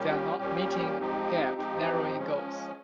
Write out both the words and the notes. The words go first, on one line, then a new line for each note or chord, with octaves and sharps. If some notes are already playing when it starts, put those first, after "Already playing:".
They are not meeting gap narrowing goals.
Already playing: A#2 G3 C#4 G4
A#2 G3 C#4 G4
G#2 F3 C4 D#4 G4
G#2 F3 C4 D#4 G4
F3 G#3 C#4